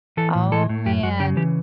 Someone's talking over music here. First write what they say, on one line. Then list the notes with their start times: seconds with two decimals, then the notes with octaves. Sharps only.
oh man.
0.17 E3 A4
0.35 A2
0.52 E3 A4
0.69 A2
0.86 F#2 G4
1.03 F#2 F#4
1.20 C#3 G4
1.37 E3 G4